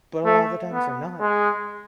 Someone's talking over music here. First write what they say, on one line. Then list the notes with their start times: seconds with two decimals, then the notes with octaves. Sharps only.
But a lotta the times they're not.
0.25 A3
0.73 B3
1.20 G#3